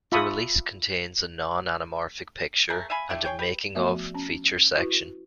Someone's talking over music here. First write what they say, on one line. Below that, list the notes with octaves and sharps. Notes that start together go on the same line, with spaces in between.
The release contains a non-anamorphic picture and a "making of" feature section.
F4 E5 A5 B5 C#6 D#6
A3 G#4 A#4
E5 F5 G#5 B5
A3 D4 E4 G4
G#4 C#5 G5
G4 B4
F3 A3 B3 F#4 D5 E5
C#4 A5
E4 F#4 B4